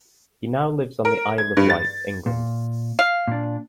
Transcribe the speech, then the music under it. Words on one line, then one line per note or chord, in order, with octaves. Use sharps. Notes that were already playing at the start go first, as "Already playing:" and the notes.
He now lives on the Isle of Wight, England.
A#4
G#6
G2
A6
A#2
F5
A#2 D4